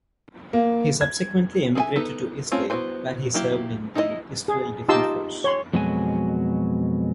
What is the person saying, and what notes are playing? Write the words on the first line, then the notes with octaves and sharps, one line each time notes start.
He subsequently emigrated to Israel, where he served in the Israel Defense Forces.
A#3
G#6
G#4 A4 B4 E5 G#5
B3 D#4 A4
A3 C4 C#4 F4
B3 E4 F#4 B4 C5
F#3 A#3 E4 G4
D#4 E4 A4 D#5
G#4
D#4 F4 G4 A5 C6 E6
C#5 C6
F2 B2 F#3 G#3 F#4 G#5